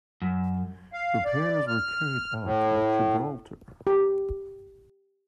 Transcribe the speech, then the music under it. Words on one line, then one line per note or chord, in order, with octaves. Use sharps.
Repairs were carried out at Gibraltar.
F#2
F5
D5
F6
A2
G4